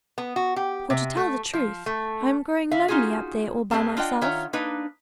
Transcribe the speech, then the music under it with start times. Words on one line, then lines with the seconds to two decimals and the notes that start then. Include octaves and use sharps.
For to tell the truth, I am growing lonely up there all by myself.
0.18 B3
0.36 F#4
0.56 G4
0.90 C3
1.17 A3
1.53 F3
1.86 A3
2.71 D3 E5 F5
2.88 C#4 D#4 F4 F#4 G#4
3.71 A2 G#3 B3 C4 G#4 A5
3.97 D4 F4 D5 D#5 F#5 G5
4.21 D#3 F4 C#5 E5 F#5 A#5
4.53 A#3 D4 D#4 B4